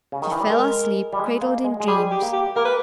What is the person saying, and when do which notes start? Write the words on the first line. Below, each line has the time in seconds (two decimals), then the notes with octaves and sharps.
She fell asleep cradled in dreams.
0.12 C#3
0.22 D#3
0.32 E3
0.41 G3
0.50 G#3 A#4
1.13 G3
1.19 G#3
1.41 A#3
1.64 G#3
1.80 G#3
1.87 G3 G#4
2.11 G4
2.22 A#3
2.33 G4
2.56 A#3 A#4
2.65 B4